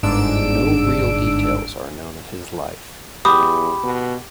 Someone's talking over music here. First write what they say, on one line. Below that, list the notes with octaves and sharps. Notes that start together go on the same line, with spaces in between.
No real details are known of his life.
G1 G#2 D4 E6 D7
E2 G4 B5 D#6
B2